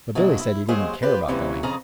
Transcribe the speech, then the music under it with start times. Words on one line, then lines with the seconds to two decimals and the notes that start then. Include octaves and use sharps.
But Billy said he didn't care about going.
0.15 B2 F#3 G#3 A#3 D4
0.40 E4
0.68 D#2 F#3 G#3 G#4 C5 F5
1.02 F4 G4 B4 C5
1.28 C3 E3 F#3 G3 A#3 C#4
1.63 F2 C#3 G#4 F5 A#5